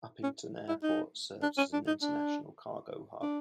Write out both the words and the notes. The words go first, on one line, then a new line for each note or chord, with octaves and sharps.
Upington Airport serves as an international cargo hub.
C#4
E4
D#4
D4
C#4
D4
D#4
D4
D4